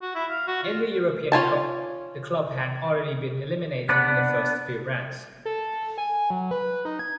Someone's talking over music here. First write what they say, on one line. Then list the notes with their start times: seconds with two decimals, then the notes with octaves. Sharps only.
In the European Cup, the club had already been eliminated in the first few rounds.
0.02 F#4
0.15 E4
0.30 F5
0.48 F#4
0.64 F4
1.32 C#4 F4 G#5 A5
3.89 B3 D4 B4 D5 F#5
5.45 A4
5.98 G#5
6.30 F#3
6.51 B4
6.85 D#4
6.99 G#6